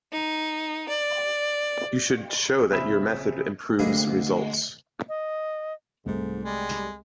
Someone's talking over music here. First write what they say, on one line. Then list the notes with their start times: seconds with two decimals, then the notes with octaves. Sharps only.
You should show that your method improves results.
0.12 D#4
0.89 D5
2.71 A#1 C#3 C4 E5 B5 E7
3.79 D2 D3 G#3 A#3 C5 B5
5.09 D#5
6.06 C2 G#2 A3
6.44 G3 G#3